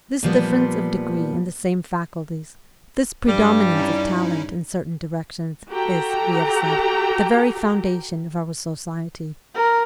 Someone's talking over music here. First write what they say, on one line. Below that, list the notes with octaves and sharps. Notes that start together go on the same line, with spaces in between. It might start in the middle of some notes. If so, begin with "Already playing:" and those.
This difference of degree in the same faculties, this predominance of talent in certain directions, is, we have said, the very foundation of our society.
A#2 F3 G3 B3
G2 G3
C#4 D#4 E4
F#4 G4 A4 G5 A#5
A#4